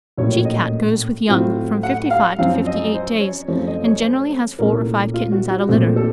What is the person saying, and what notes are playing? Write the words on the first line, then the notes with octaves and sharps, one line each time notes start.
The she Cat goes with young from fifty-five to fifty-eight days, and generally has four or five kittens at a litter.
A#1 A2 F#3 A#3 C#4 C#5
C#5
D#5
A2 F#3 C4 F4
F#5
F5
F#2 F3 C4 F5
D#5
C5
C#5
F#2 C#3 F3 A3 C4 C#5
D#5
C#5
C5
C2 A#2 A3 C#4 A#4
F4
F#4
F#4
A#1 A#2 A3 C4
A4